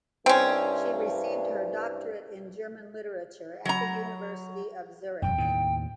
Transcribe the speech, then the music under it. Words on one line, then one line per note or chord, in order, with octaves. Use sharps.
She received her doctorate in German literature at the University of Zurich.
C2 G2 C4 C#4
F#3 A#5
E1 F#2 G5
D#2 A2 D#3